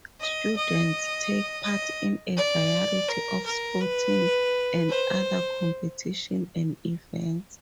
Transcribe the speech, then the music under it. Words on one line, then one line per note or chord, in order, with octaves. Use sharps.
Students take part in a variety of sporting and other competitions and events.
D#5
D#5
D#5
D5
A#4
A#4
B4
C5